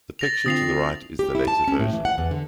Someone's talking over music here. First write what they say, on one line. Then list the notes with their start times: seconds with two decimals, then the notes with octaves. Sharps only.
The picture to the right is the later version.
0.19 A6 A#6 F7
0.46 D3 C4 F4 D#6 C7 F7
1.19 G4
1.35 E4
1.48 A5
1.68 C#4
1.80 A2
1.93 E3
2.05 F#5
2.18 E2
2.31 D3